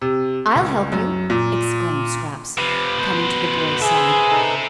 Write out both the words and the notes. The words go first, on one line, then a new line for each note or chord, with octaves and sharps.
"I'll help you," exclaimed Scraps, coming to the boy's side.
C3
C#2
F#2
A#2
C3 F3 B4
B2 C5
G#4 C5 E5
D#4 A4 B4